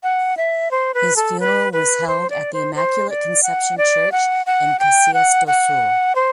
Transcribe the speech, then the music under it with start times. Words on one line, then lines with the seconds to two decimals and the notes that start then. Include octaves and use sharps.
His funeral was held at the Immaculate Conception Church in Caxias do Sul.
0.03 F#5
0.37 E5
0.71 C5
0.94 B4
1.16 A4
1.40 B4
1.73 B4
2.08 C5
2.30 D5
2.53 C5
2.75 C5
3.10 D5
3.43 F#5
3.78 D5
4.12 F#5
4.46 F#5
4.79 G5
5.14 F#5
5.47 F#5
6.15 C5